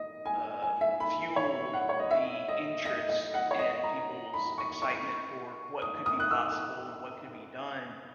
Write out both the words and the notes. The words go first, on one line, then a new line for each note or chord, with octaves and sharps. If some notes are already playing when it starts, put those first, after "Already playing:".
uh, fueled the interest in people's excitement for what could be possible and what could be done,
Already playing: D#5
G#5
G#5
E5
B5
C#5
F#5
C#5
D#5
E5
D#5
D#5
D#5
F#5
C#5
D#5
A#5
B5
C#6
C#6
D#6
D#6
F#6
E6